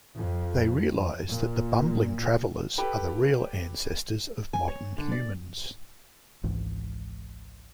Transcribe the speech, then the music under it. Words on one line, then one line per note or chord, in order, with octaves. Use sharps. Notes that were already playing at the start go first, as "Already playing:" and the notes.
They realise that the bumbling travellers are the real ancestors of modern humans.
F2
A#2
G4 A4 B4 G5
G#5
C#5
D3
D5
G#1 C#2 G#2 E3